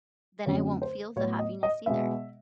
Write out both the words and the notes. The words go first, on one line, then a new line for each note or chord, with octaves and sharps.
then I won't feel the happiness, either.
F#2 D3 F#3 A3 C4 C#5
C5
A2 F#3 B3 C#5
D#5
D#5
B2 G#3 B3 E5